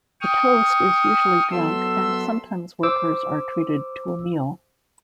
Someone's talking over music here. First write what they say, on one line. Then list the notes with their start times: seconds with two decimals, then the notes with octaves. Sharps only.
A toast is usually drunk and sometimes workers are treated to a meal.
0.21 G5 C#6 D#6 F6
1.51 F#3 B3 A4 E5 C6 E6
2.83 C5 D6 E6